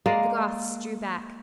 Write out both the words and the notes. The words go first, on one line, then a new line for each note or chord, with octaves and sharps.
The Goths drew back.
G#3 A#3 D5